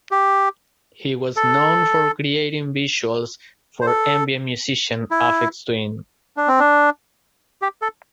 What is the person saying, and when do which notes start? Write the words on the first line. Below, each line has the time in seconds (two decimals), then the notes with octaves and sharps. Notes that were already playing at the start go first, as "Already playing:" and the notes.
He was known for creating visuals for ambient musician Aphex Twin.
0.11 G4
1.36 A4
3.81 C5
3.86 A4
5.11 E4
6.37 D4
6.48 C4
6.59 D4
7.62 G4
7.82 A4